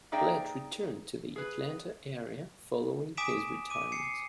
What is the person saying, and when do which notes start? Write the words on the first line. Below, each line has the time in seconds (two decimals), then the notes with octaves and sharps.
Plett returned to the Atlanta area following his retirement.
0.12 A#3 D#4 G#4 D5 E5 G5
1.36 G#4 B4
3.17 G#5 D6 D#6 B6 D7 E7
3.70 D6 D#7
3.92 G#5 C7 C#7